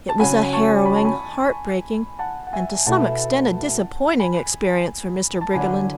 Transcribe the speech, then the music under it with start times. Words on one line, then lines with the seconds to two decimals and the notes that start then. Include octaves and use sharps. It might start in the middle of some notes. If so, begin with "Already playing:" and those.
It was a harrowing, heart-breaking, and to some extent, a disappointing experience for Mr. Briggerland.
0.09 A5
0.19 C#3 F#3 C#4 F#4 G#5 B5
0.53 A5 C#6
0.86 B5
0.96 A5
1.05 G#5 B5
2.19 F#5 A5
2.47 F#5
2.53 E5 G#5
2.86 B2 A3 E4 F#5 A5
4.20 G#5 B5
5.41 A5
5.53 E2 D3 F#3 G#5 B5